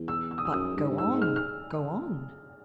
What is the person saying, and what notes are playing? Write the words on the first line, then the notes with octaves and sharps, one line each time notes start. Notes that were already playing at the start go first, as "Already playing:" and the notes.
But go on, go on.
Already playing: E2
E6
E6
D#6
E6
F#2 D#6
G2
G#2
G2
G#2 E6
G2
G#2
F6
F6